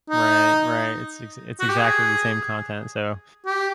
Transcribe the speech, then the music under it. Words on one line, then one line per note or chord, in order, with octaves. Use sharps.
Right, right. It's ex it's exactly the same content. So,
D#4
F#4
G4
G#4
G4